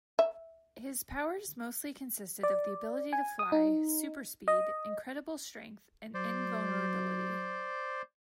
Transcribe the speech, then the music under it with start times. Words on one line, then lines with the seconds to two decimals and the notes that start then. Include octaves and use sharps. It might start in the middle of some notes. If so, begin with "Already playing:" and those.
His powers mostly consisted of the ability to fly, superspeed, incredible strength, and invulnerability.
0.19 E5
2.43 D5
3.13 G#5
3.39 D#6
3.52 D#4
4.48 D#5
6.14 F#3 C5 D5